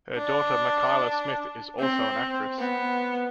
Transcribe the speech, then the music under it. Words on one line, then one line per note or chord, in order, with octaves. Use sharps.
Her daughter Makyla Smith is also an actress.
D4
C4
B3